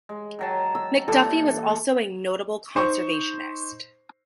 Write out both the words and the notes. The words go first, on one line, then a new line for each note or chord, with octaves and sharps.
McDuffie was also a notable conservationist.
G#3
D#3 F#3 A5
E6
A#2 E3 G3 A4
D#4 C5 C#6